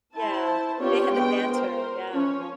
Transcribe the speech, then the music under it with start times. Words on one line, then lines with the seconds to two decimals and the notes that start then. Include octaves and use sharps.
Yeah, they had the banter. Yeah.
0.15 E4 C5 A5
0.80 B3 C4 D4 F4 G4 C#5
1.14 G#3 B3 G5
1.51 A#4 C5
2.12 F3 C#4 C#5